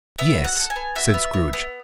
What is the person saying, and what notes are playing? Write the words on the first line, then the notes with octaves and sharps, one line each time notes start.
"Yes," said Scrooge.
B3 E5
F#4
F#5
A4
G#5
B3
F#4 E5
B3
B3
B3